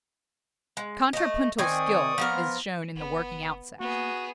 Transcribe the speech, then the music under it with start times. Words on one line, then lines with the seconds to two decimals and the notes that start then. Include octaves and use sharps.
Contrapuntal skill is shown in the working out section.
0.77 G#3
1.13 A3 D#5
1.58 D#3 C4 D5 G#5 C#6 D#6
2.18 F3 B3 A#4
2.95 F#1 B3
3.80 A#3 B3 F#4 G#4